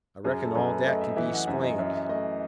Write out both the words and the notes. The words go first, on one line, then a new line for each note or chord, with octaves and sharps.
"I reckon all dat kin be 'splained."
F#2 G#4
A4
F#2
B4
A3 D#5
E5
E3 E5
F#5
F#2 E5
D#5
F#2 E5
E5
A3 D#5